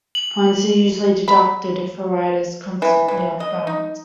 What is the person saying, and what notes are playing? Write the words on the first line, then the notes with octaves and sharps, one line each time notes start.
Points are usually deducted if a rider is constantly off balance.
F#7
B5
E3
E3
D#5
D#4